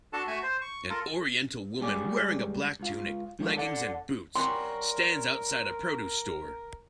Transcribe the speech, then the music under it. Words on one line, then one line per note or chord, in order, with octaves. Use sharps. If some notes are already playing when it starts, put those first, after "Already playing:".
An oriental woman wearing a black tunic, leggings and boots, stands outside a produce store.
D4 F#4 A4 A5
A3 F#4 E5 G#5
C5
C#6
F4 A4 A#4
C#2 G3 G#4 D5
C#2 F4
G#2 F3 A3 D4
A4 D5 F#5
G3 C#4 F#4 A#4 C6